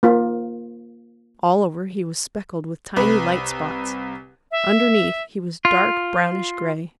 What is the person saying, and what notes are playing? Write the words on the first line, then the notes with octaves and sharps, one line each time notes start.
All over he was speckled with tiny light spots. Underneath he was dark brownish-gray.
A#3 F4
C2 B4
E5
F4